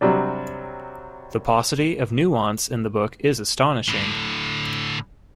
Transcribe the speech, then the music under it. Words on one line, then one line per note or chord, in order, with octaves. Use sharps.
The paucity of nuance in the book is astonishing.
C3 F#3 G3 D4
A2 D3